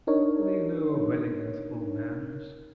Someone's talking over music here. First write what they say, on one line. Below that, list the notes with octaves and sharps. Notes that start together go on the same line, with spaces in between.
What do you know of elegance or manners!
D4 D#4 A#4 C#5